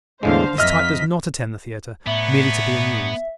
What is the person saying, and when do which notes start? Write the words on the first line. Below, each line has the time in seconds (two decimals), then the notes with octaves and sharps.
This type does not attend the theater merely to be amused.
0.23 E2 A2 D3 G#3 C5 F5
0.58 F2 D#5 E5 F6 A#6 B6
2.07 A2 B3 D4 D#4 C#5 E5